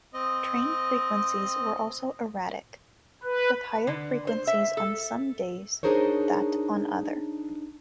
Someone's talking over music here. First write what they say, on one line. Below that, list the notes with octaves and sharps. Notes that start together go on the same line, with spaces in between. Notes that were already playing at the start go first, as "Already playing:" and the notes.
Train frequencies were also erratic, with higher frequencies on some days that on other.
C4 D#5
B4
D3
C5
E5
A4
D4 D#4 G#4 A#4 C5 C#5